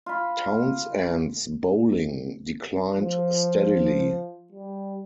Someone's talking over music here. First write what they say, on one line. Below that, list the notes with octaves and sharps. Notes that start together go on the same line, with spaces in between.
Townsend's bowling declined steadily.
F4 B5
F3
G3